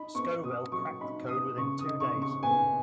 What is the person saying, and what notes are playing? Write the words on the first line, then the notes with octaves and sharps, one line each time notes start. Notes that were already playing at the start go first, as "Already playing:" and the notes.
Scovell cracked the code within two days.
Already playing: D#4 B5
B3 C#6
B2 D#6
F#3 C#6
D#4 B5
B3 D#6
C#3 C#6
D#6
D#4
C#6
C#3
C#6
B3 G#5